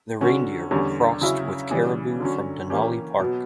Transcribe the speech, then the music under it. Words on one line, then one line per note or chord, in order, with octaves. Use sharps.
The reindeer were crossed with caribou from Denali Park.
D3 F#3 C#4 F#4
E2 D3 G3 C#4
C#3 F#3 C#4 E4
C#3 E3 G3
D3 F#3 C#4
E3 A#3 C#4 G4
B2 F#3 B3